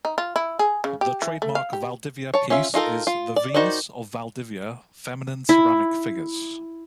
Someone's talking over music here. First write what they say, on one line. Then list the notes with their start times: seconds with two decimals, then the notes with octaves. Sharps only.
The trademark Valdivia piece is the "Venus" of Valdivia: feminine ceramic figures.
0.05 D#4
0.18 F4
0.36 E4
0.59 G#4
0.84 C#3
1.01 G4
1.22 E3
1.42 A3
1.55 F5
1.73 G4
2.34 C#5 A5
2.50 C#4 F4 E5
2.74 D#4 F4 A4 A#4
3.07 F4
3.36 D5
3.54 D#3 D#4 F#4 C5 D5
5.49 E4